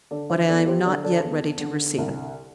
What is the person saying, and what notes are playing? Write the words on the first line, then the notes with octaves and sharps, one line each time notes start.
"But I am not yet ready to receive it."
D3 A4 D5
C5 E5
E2 A4 D5
G4 C5
D3 A4 D5
A4 D5
E2
D3
C2